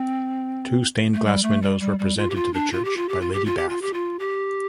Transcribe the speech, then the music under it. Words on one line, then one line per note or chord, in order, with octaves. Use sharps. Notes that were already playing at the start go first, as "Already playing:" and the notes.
Two stained glass windows were presented to the church by Lady Bath.
Already playing: C4
A3
G3
A3
G3
G3
G3
F4
G4
F4
D4
F4
G4
F4
G4
F4
G4
F4
G4
F4
G4
F4
G4